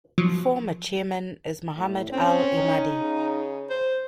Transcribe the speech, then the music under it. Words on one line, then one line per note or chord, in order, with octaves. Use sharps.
Former Chairman is Mohammed Al Emadi.
F3 F#3
A2
C4 C#4
D#4
C#3
C5